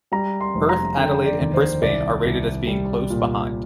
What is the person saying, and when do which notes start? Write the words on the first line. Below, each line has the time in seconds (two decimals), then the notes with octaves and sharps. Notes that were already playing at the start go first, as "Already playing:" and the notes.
Perth, Adelaide and Brisbane are rated as being close behind.
0.12 G3 A#5
0.41 C6
0.55 F1
0.69 A#5
0.97 D3 G5
1.26 D5
1.40 D#2
1.54 C5
1.82 C2 D5
2.25 C2
2.67 G3
3.10 A#2